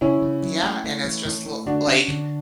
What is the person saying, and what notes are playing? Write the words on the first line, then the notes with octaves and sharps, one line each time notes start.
Yeah, and it's just l like,
C#3 C#4 E4
C#3
F#3
A3
A3
E3
A2
A3
D3 D4 F#4
C#4
D3